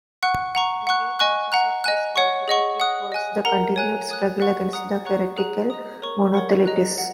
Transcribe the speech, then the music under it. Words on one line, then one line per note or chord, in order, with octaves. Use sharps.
The main focus of his pontificate was the continued struggle against the heretical Monothelites.
F#5 C#6 F#6
F#5 A#5 C#6
F#5 C#6 F#6
D#5 G#5 C#6 F#6
F#5 A#5 F#6
D#5 G#5 F#6
C#5 F#5 C#6
G#4 D#5 F#5 C#6
F#5 D#6 F#6
D#5 G#5 F#6
A#4 F#5 A#5
C#5 G#5 F#6
C#5 G#5 D#6 F#6
F#5 C#6 F#6
F#5 A#5 D#6 F#6
C#5 F#5 A#5 C#6 F#6
G#4 F#5 A#5 F#6
D#5 A#5 D#6
A#4 C#5 A#5 C#6
A#4 C#5 F#5 C#6
G#4 D#5 A#5 F#6
F#5